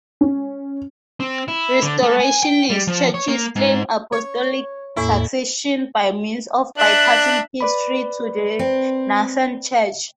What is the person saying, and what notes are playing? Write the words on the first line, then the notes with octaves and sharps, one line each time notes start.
Restorationist Churches claim apostolic succession by means of bypassing history to the nascent Church.
C#4
C4
E4
D3
A3
G#5
G5
G3
F3
C#5
A#3
G#2
C#5
E2 A2 A#3 E4
D4 E5 F#6
B4 D5 B5
C4